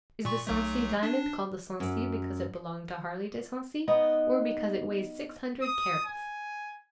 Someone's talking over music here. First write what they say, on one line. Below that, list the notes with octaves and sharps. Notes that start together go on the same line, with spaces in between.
Is the Sancy diamond called the Sancy because it belonged to Harley de Sancy, or because it weighs six hundred carats?
A#2 C#6
B1 F#3 A3
D4
F#2
B3 D#4
D#6
G#5